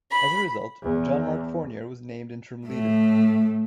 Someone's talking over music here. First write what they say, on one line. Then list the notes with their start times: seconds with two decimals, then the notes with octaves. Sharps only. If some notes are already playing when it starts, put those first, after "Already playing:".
As a result, Jean-Marc Fournier was named interim leader.
0.11 B5
0.83 E2
2.66 A2 A3